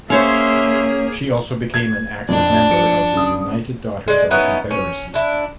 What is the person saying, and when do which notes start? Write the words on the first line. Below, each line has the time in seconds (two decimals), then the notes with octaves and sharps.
She also became an active member of the United Daughters of the Confederacy.
0.10 A#3 C#4 G#4 C5 C#5 E5 F5 C6
1.74 G#6
2.29 F2 D4
2.71 F3 C#7
3.14 C#3 D#6
4.08 G#3 D5
4.31 B3 C#4 D#4 E4
4.71 C#4
5.14 D4 E4